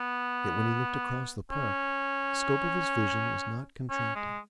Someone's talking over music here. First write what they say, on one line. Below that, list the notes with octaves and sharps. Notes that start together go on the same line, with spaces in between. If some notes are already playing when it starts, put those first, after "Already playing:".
Yet when he looked across the Park the scope of his vision was not contracted.
Already playing: B3
C#4
C#4
G#3